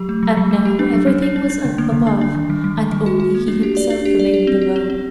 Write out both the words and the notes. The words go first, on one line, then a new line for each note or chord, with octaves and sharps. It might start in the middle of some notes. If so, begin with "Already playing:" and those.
And now everything was up above and only he himself remained below.
Already playing: F#3 G4
A3
F#3
F#3
A3
G4
D4
F#3
G3
D4
D4
D4
D3
A#3
D3
D4
D4
D#3
G3
G3
D#3
G3
F#4
F#4
A#3
D4
G4
D5
D4
G4
D5
G4
C4
G4
C4
C4